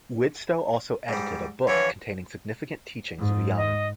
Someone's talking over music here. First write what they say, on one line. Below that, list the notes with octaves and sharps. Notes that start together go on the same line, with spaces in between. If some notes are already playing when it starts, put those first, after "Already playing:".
Widtsoe also edited a book containing significant teachings of Young.
G#2 G3
D3 E3 F3 C#5
G#2
D#5